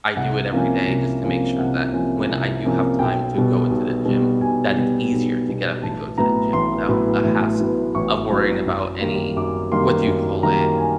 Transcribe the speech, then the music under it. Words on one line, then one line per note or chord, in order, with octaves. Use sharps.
I do it every day just to make sure that when I do have time to go into the gym, that it's easier to get up and go to the gym without a hassle of worrying about any- what do you call it-
C2 F#5
C3 F3 A#3 C#4
C2
C3 F3 A#3 C#4
C2 F#5
C3 F3 A#3 C#4
C2
C3 F3 A#3 C#4
B1 G5
B2 G3
B1
B2 G3
B1 G#5
B2 G3
B1
B2 G3
A1 A5
A2 F#3 B3 A#5
A1 C6
A2 F#3 B3
A1
A2 F#3 B3
A1 C#6
A2 F#3 B3
F#2
D#3 G3 A#3
F#2 D6
D#3 G3 A#3 C6
F#2
D#3 G3 A#3 A#5
G#5